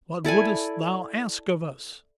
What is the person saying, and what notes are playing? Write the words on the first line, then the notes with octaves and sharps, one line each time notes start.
'What wouldst thou ask of us?
E4 A4 D5 G#5